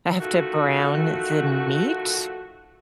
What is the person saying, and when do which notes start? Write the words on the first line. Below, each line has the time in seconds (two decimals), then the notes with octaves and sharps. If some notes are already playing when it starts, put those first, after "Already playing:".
I have to brown the meat
0.20 D#3 F3 A3 F#4